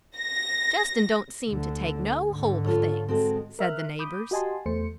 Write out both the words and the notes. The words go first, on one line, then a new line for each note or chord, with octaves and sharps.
"Justin don't seem to take no holt of things," said the neighbours.
A#6
D2 D3
G#2 D3
F4 A4 C#5
G#3 C4 F#4 A4
A#4 E5 F6 F#6
B5 D6 D#6 G6
F#4 G4 D#5 G#5 A5 C6
E2 A3 C5 C#7